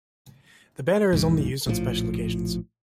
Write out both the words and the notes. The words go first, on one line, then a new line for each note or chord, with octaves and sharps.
The banner is only used on special occasions.
B1 F2 G#2 E3
A#1 A2 C3 F3